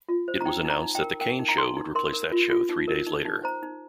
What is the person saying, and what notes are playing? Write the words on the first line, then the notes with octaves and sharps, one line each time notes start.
It was announced that the Kane show would replace that show three days later.
F4
C5
A#5
D#4 G5
D#4
A#5
D#4
G5
A#4
A#4 G5
D#4
A#5
D#4 C6
D#4
A#4 C6
A#4
F4
F4
D#4
A#4
D#4
D#4
C5 A#5
D#4